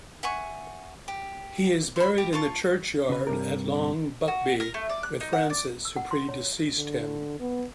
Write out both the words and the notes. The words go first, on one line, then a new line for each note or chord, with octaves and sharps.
He is buried in the churchyard at Long Buckby, with Frances, who pre-deceased him.
E5 F#5 G#5 C#6
G4
C5 B5
G4
F4 A5 C#6
C#3 B4
G2 C3 A#4
F#4
A#4
A3
D5
F#6
D#4
F#5
D5
E6
F#5
C6
C#5
D3
B3